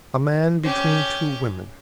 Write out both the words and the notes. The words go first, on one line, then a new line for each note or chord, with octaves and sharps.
A man between two women.
C#4 G4